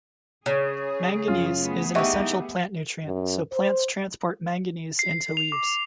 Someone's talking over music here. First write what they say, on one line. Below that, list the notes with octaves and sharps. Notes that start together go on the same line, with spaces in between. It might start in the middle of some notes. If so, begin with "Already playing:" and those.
Manganese is an essential plant nutrient, so plants transport Mn into leaves.
C#3 G#4
F#2 F4
A3 B3 G#4
E3 D#4 G4 D#5 E5 F#5 C#6
F#2
C5
C7
F7
D6